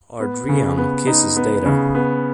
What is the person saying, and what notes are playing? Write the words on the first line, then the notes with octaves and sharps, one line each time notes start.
Ard'rian kisses Data.
B3
C#3
B3
D#4
B3
C#3
B3